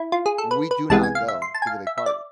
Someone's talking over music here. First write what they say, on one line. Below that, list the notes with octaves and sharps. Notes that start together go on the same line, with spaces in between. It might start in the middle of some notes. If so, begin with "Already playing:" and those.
We do not go to the big party.
Already playing: E4
F4
G#4
A4
B4
B4
C2 C3 E3 G#3 B3 A5
G#5
F5
E5
C6
A5
G#5
F5
E5
E5
D5